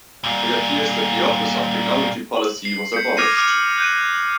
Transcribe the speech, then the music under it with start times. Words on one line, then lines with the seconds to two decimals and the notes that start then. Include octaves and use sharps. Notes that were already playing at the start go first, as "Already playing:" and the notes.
It appears that the Office of Technology Policy was abolished.
0.24 A#2 G3
2.37 F#7
2.65 C7
2.94 G6 B6 C#7
3.17 D6 F6 G#6 A#6 C7 D#7
3.35 D6 D#6 F6
3.78 F#6 G6 D#7